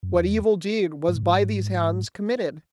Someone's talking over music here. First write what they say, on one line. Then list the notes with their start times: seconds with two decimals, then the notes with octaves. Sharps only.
What evil deed Was by these hands committed?
0.03 F#2
0.14 E2
1.08 G#2
1.16 A2
1.23 G#2